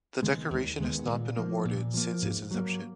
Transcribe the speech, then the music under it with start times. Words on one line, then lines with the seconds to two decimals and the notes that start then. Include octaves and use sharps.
The decoration has not been awarded since its inception.
0.22 D#3 G#3 B3
0.50 D#2
0.80 D#3 G#3 B3
1.08 A#2
1.37 F3 A#3
1.65 A#2
1.94 F3 A#3
2.22 G#2
2.51 F#3 A#3